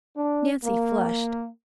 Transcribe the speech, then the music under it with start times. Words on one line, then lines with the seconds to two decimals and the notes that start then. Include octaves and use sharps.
Nancy flushed.
0.16 D4
0.63 A#3